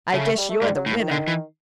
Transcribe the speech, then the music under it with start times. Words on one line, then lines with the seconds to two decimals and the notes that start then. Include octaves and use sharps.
I guess you're the winner!
0.13 C#3 A3
0.25 A3
0.38 G3
0.50 A3
0.61 G#2 G3
0.75 F#3
0.86 A2
0.99 D#3
1.11 D3
1.27 E3